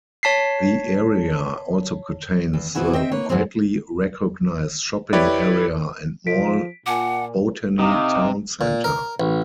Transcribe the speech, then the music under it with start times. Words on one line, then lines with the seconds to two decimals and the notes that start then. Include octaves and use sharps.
The area also contains the widely-recognized shopping area and mall Botany Town Centre.
0.23 C#5 A5 B6 C7
2.54 E2
2.75 C3 F3 B3 E4 F#4 G#4
2.93 C4 D#5 E5 G5
3.11 A#3 B4 C#5
3.29 E2 G2 C3 F#3 G#3 C4
5.13 E4 G4 B4 C#5 D5
6.27 F3 B6 D7
6.86 A#2 F#5 G#5 A5 D6
7.79 C3 D#4 F5 D6 D#6
8.61 A#2
8.84 A#4
9.20 A1